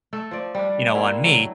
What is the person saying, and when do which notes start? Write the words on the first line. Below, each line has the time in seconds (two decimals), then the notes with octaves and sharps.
you know, on me.
0.13 A3 A4
0.31 F3 D5
0.55 G3 D4
0.94 G3 A#3 E4 F4
1.24 F#3 A3